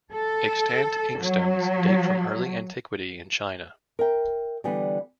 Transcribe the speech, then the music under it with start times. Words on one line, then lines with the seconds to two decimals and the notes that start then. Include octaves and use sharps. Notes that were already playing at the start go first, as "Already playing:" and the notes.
Extant inkstones date from early antiquity in China.
0.12 A4
1.20 F#3
3.99 A#4 E5 G5
4.64 D3 E3 G3 B3